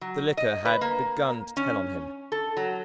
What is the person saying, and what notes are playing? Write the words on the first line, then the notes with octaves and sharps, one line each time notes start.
The liquor had begun to tell on him.
F#3
D#5
B4
A#3
C#4
A4
F#3